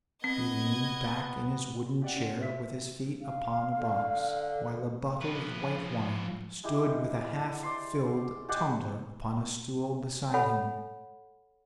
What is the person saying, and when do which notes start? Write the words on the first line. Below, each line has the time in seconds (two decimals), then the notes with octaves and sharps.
He leaned back in his wooden chair with his feet upon a box, while a bottle of white wine stood with a half-filled tumbler upon a stool beside him.
0.24 B3 C4 D#5 G#6
2.02 G4 D5 F#5
2.16 C#4 F4
2.40 C5 E5 B6
3.21 F5
3.79 D3
5.21 F3 B4
6.64 G#3 E4 G4 G#4
7.63 D5 C6
8.49 G#3 G4 D5 F#5
10.34 A4 C#5 F#5 G#5 B5